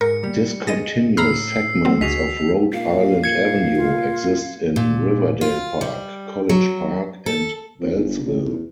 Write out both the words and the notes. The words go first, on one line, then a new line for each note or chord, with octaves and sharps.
Discontinuous segments of Rhode Island Avenue exist in Riverdale Park, College Park, and Beltsville.
G#2 A#4 C#7
G3
G#4 D#5 A6 A#6 D#7
A2 A#5 B5 E6 F6 C7
F#3 C4
D2 F#4 G#4 D#5 B6 F7
A#2 F5
G#6 C#7
F4
A#2
F4
G3
F#3
A4
F2
G1
A1
E2